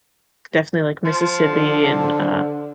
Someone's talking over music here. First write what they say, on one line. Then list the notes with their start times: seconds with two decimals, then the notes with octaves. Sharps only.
definitely, like, Mississippi and, uh,
1.05 F3
1.42 D3